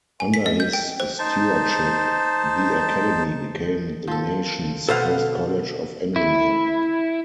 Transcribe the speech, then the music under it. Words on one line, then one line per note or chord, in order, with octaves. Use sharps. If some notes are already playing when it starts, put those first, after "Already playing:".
Under his stewardship, the Academy became the nation's first college of engineering.
G#5
B6
D#5
G6
G5
C5
D#4 C5 A5
F3 A4
B2 D3 A4 B4 C5 F5
E4